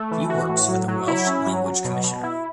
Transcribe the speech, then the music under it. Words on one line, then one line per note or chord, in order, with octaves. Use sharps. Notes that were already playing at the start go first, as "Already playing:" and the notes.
He works for the Welsh Language Commissioner.
Already playing: A3
E3
F#4
A2
F#3
F#3
E4
C#4
F#3
F#3
B2
B2
E4